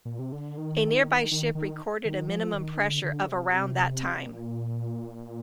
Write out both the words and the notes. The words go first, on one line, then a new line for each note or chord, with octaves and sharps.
A nearby ship recorded a minimum pressure of around that time.
A#2
C3
D3
D#3
D#3
D#3
D#3
F3
D#3
D3
D3
C3
A#2